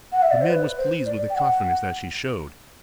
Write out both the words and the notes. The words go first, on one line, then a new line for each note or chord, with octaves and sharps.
The man was pleased with the confidence that she showed.
F#5
E5
D5
C5
B4
C5
D5
G5
F#5